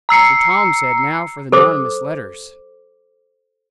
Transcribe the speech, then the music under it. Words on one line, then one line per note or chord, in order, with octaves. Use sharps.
So Tom said, now for the nonnamous letters.
A#5 E6 C7 C#7
A4 C5 D6